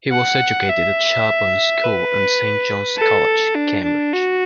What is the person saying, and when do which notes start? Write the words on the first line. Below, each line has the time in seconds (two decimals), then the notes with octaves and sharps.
He was educated at Sherborne School and Saint John's College, Cambridge.
0.12 F#5
0.69 E5
1.84 B4
2.98 A4
3.55 D4
3.84 D4
4.13 F#4